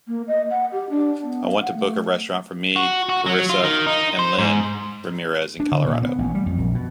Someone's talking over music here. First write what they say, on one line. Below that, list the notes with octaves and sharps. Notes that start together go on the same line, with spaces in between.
I want to book a restaurant for me, carissa and lynn ramirez in Colorado.
A#3
D#5
F#5
G4
D4
B3
F5
F#5
A3
F#4
F#4
F#3
F4
D#3
D#4
C5
G#2
D4
D3
A#2
B3
A1
G3
F2
A#1
B2